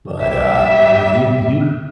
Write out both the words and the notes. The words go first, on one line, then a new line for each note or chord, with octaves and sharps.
but, uh, uh, you you
G3 E5